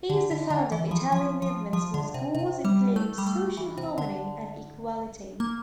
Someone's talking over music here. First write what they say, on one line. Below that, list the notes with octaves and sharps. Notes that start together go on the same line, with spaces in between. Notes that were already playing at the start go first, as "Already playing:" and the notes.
He is the founder of Italian movements whose goals include social harmony and equality.
D3
D3
D3
E3
F3
F3
F3
F3
D3
C3
C3
G3
A3
G3
A3
E3
C3
D3
A#3